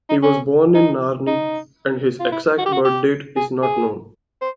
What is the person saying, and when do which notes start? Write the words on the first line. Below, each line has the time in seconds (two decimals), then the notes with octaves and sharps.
He was born in Narni and his exact birthdate is not known.
0.09 D#4
0.23 C#4
0.74 D#4
1.27 D#4
2.20 F4
2.32 E4
2.58 F#4
2.65 G4
2.73 F#4
2.85 G4
3.36 G#4
3.63 G#4
4.41 C5